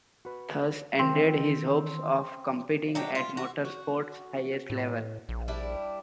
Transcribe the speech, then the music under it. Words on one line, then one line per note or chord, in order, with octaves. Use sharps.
Thus ended his hopes of competing at motor sport's highest level.
F#4 B4
D#3 E3 C4 A#4
F#3 D4 G4
F4
F#4
F#4
A2
A#1
G3 D4 E4